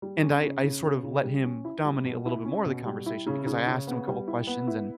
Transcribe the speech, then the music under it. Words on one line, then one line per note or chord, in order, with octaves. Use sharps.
and I I sort of let him dominate a little bit more of the conversation, because I asked him a couple questions and
G3
C#4
C#3
C#3
C#3
C#3
G3
C#4
E4
G3
B2
E4
C#4
B2
G3
E4
C#3
C#3
C#3
B3
G3
E4
B3
E4